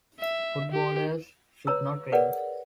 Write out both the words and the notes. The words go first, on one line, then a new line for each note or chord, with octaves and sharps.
Footballers should not drink.
E5
G4
B4 C#5 A#5 E6
G#4 A#4 B4 C#5 D5 F#5